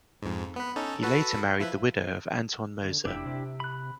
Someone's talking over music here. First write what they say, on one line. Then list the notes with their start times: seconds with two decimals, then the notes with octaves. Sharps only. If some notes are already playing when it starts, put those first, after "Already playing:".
He later married the widow of Anton Moser.
0.22 F2 G#2
0.56 B3 B4
0.76 C#4 D#4 A4
1.03 F#4 A4 B4
1.60 F3 E4 B4
2.84 D3
3.05 F1 D4 E4 G4
3.26 C3
3.60 B5 F#6